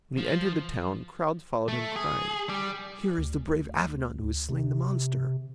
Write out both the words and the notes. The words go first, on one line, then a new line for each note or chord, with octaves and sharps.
When he entered the town, crowds followed him crying, "Here is the brave Avenant who has slain the monster."
F3
A3
G#4
G3
D2
C3